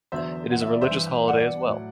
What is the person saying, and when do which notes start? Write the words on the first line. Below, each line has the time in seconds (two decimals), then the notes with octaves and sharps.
It is a religious holiday as well.
0.12 E2 D3 F#3 C5 E5
0.51 F#5
0.61 E5
0.71 D5
0.81 C5 E5
0.89 G2 E3
1.28 D5 F#5
1.67 A2 F#3